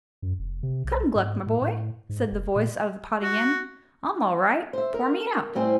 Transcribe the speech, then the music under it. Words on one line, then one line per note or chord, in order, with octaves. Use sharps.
"Come, Gluck, my boy," said the voice out of the pot again, "I'm all right; pour me out."
F#2
F1
C3
B1
G#2
A2
A2
G#2
F1
A#2
F#4
C5 E5
A#4
A2 G3 C4 E4 C5 G#5